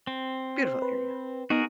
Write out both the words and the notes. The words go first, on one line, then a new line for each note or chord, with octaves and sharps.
beautiful area.
C4
C5
B4
B3 D#4 F#4 G#4 A#4